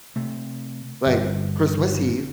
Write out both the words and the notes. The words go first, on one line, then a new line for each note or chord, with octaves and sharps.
like, Christmas Eve,
C3 A3
G1